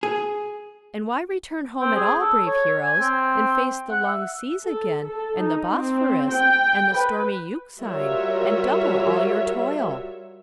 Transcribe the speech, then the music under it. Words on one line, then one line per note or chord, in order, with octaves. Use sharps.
And why return home at all, brave heroes, and face the long seas again, and the Bosphorus, and the stormy Euxine, and double all your toil?
G#4
C4
G#4
A4
C#5
G#5
C4
F#5
E5
A4
A4
D#4
C4
G5
B4
G3 F4 F#4 A#4 C#5 E5